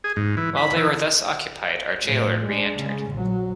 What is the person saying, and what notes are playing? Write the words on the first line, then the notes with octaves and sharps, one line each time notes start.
While they were thus occupied, our jailor re-entered.
G#4
G#2
E3
B5
E3
A2 F3
G#3 D4
C#3 G#3
A#1 F#3